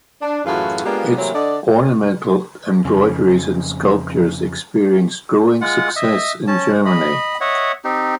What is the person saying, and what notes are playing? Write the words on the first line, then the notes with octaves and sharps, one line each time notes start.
Its ornamental embroideries and sculptures experienced growing success in Germany.
D4
F#2 A2 E3 F4 F#4 G#4
G#3 A#3 B3 D4 F4 G4
C3 E3 F#3 A3 A#3 C4
D3 D5 D#5
F2 C#3
G#3 F4 F#5
D#5 E5
C#4 A5
D#5 B5
C#5 D#5 E5 F#5
C4 D#4 G4